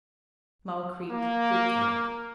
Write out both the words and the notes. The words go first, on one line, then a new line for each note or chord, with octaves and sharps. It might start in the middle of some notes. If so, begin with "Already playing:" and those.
Small Creek.--Good camp.
A#3